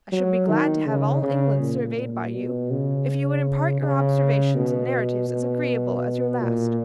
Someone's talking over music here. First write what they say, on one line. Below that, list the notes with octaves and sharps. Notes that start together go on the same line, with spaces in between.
I should be glad to have all England surveyed by you, if you would impart your observations in narratives as agreeable as your last.
F#3
D#3
C#3
C#3
A#2
A#2
B2
C#3
C#3
B2
B2
A#2